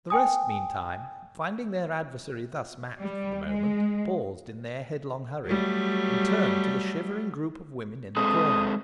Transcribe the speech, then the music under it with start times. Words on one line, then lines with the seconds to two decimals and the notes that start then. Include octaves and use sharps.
The rest meantime, finding their adversary thus matched for the moment, paused in their headlong hurry, and turned to the shivering group of women in the corner.
0.10 G5 G#5 D#6
3.01 G3
3.47 G#3
5.45 F#3 G3 A3
8.17 G#3 C4 A4 D#6